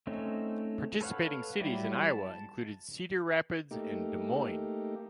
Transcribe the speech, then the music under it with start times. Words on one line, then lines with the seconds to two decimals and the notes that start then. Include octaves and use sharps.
Participating cities in Iowa included Cedar Rapids and Des Moines.
0.07 A3 C4 C#4 D#4
1.01 A4 B4 C#5 F5 F#5
1.61 F#3 G3 E4 G4
2.11 A5
3.71 A3 A#3 D#4 G4